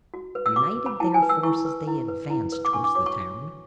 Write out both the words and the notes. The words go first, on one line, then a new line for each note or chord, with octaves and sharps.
Uniting their forces they advanced towards the town.
F#4
B4
E6
F#4 D6
B4
B5
E4 A5
G#5
B4
E6
E4 C#6
B4
E4
B4
E4
B4
D6
D4 C#6
D6
F#4 C#5 D6
C#6